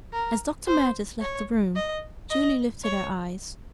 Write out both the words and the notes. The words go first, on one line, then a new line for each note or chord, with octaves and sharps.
As Dr. Meredith left the room, Julie lifted her eyes.
A#4
C5
C#5
D#5
D#5
C#5